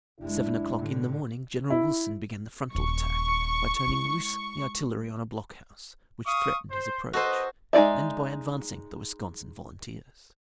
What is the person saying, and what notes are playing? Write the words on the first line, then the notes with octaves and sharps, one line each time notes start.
At seven o'clock in the morning General Wilson began the frontal attack by turning loose the artillery on a block-house, which threatened his approach, and by advancing the Wisconsin Volunteers.
F#1 G#3 D4 E4
A2 D3
E4
D#1 C#6
G#3 E4
F5 C#6 D#6
C5
F#4 A4 B4 C5 D#5
G#3 D#4 F4 D5 E5